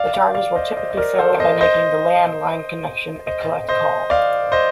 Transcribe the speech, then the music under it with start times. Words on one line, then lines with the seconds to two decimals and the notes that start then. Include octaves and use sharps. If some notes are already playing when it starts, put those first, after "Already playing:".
The charges were typically settled by making the landline connection a collect call.
Already playing: D5 F5
0.14 D5 F5
0.35 D5 F5
0.55 C5 D#5
0.77 C5 D#5
0.91 D#5
0.97 A#4 D5
1.18 A4 C5
1.40 C5 D#5
1.61 C5 D#5
3.27 C5 D#5
3.69 C5 D#5
4.10 D5 F5
4.52 C5 D#5